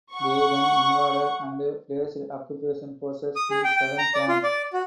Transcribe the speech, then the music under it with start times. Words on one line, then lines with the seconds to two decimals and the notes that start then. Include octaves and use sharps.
They then invaded and placed occupation forces in southern France.
0.15 F#5 C#6
3.36 D#6
3.50 G#4
3.64 G5
3.76 G5
3.98 A#5
4.14 D5
4.28 F4
4.43 D5
4.73 F#4